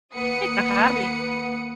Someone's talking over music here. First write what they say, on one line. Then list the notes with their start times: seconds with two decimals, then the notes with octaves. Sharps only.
pick a hobby?
0.14 D#2 A#3 B4 F#5 D#6 C#7